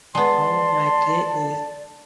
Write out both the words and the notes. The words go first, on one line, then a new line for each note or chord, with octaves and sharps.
Oh my goodness.
G#3 B3 D5 A5 C6